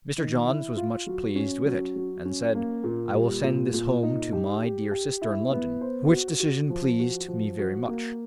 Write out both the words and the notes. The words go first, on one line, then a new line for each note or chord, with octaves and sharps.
Mr. Johns was much pleased with it, and said, "I will send this home to my dear sister in London,". which decision pleased me very much.
D#3
E4
F4
F#3
C#4
F#3
F#3
C#4
A#3
A#2
G3
A#2
A#2
D#4
G4
G4
G4
E4
B3
C5
F#4
F#4
F3
F#4
F3
F#4
A#3